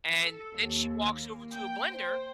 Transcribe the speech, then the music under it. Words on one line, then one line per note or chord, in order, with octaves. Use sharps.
And then she walks over to a blender
A4
D#2
A#3
G5
C5